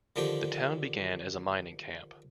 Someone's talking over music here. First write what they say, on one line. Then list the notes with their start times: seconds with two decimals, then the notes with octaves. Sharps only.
The town began as a mining camp.
0.16 D3 D#3 F3 D4 G4